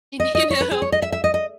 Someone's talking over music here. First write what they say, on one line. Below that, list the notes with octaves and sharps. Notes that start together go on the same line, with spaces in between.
y you know
D#5
D#5
C#5
B4
G#4
C#5
D#5
E5
E5
D#5
D#5